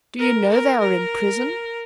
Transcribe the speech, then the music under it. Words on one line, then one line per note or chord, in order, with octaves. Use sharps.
"Do you know they are in prison?"
A#4
A#4
A#4